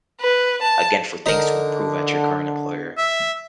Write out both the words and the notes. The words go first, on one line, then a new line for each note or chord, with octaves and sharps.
again, for things to improve at your current employer,
B4
A5
D3 D#4 A#4
E5